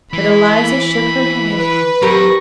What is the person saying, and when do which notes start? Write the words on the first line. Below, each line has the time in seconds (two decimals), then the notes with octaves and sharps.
But Eliza shook her head.
0.13 E3 B5
1.56 B4
2.02 E2 F#3 C4 G4 A#4 C#6 A#6